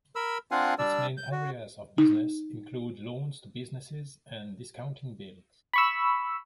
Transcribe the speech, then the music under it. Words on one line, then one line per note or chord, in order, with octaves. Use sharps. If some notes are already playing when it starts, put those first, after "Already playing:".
Its main areas of business include loans to businesses and discounting bills.
A#4 B5 E6
C4 D4 F4 F5 F#5 G#5
G3 D4 D5 E6
G6
F#4
D#4
B5 C#6 E6